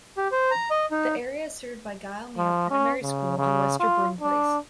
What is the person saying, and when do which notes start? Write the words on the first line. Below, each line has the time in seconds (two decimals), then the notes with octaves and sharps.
The area is served by Gylemuir Primary School, on Wester Broom Place.
0.17 G4
0.32 C5
0.51 A#5
0.70 D#5
0.91 D#4
2.37 F3
2.70 C#4
3.02 C#3
3.38 C#3
3.80 F4
4.21 D4